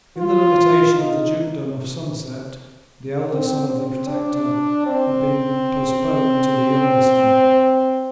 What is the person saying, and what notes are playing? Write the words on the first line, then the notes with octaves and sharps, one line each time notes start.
In the limitation of the dukedom of Somerset, the elder Son of the Protector had been postponed to the younger son.
F4
D#4
C4
C4
D4
C4